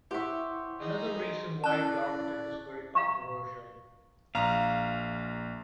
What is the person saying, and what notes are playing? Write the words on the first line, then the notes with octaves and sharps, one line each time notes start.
Another reason why the architect is very controversial.
E4 G4 C5 E5 F#5 C#6
D#4 G#4
C#4 E4 D5 A5 F#6
F5 A#5 C#6
A#1 F5 A#5